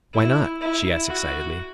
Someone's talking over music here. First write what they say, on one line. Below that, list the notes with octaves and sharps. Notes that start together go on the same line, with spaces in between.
"Why not?" she asked excitedly.
E4
E4
F#4